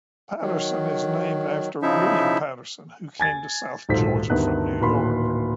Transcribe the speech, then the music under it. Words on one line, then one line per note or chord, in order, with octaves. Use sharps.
Patterson is named after William Patterson, who came to South Georgia from New York.
D#3 F#3
C#3 F3 D#4 E4 E5
G#5 G#6 A6
D#1 B1 G#2 A4 C5 B6
D2 G2 D#3 B3 F#6
D1 A#2 D#3 B5 C6